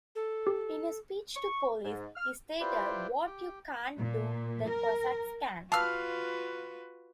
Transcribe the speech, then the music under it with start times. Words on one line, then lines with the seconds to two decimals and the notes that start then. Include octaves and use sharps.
In a speech to police he stated, What you can't do, the Cossacks can.
0.15 A4
0.47 G4
1.36 C#6
1.84 G#2
2.16 F6
2.60 E4 F4 G4 B4 C5 D5
3.26 G4
3.99 A#2
4.69 A#4
5.72 F4 F#4 B4 F5 A5 D6 E6 F6